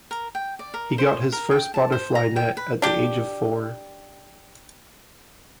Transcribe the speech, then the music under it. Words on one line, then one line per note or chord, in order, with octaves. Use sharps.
He got his first butterfly net at the age of four.
A#4
G5
D5
A#4
C5
A#4
G5
A5
C5
A#5
G5
B4
D4 G4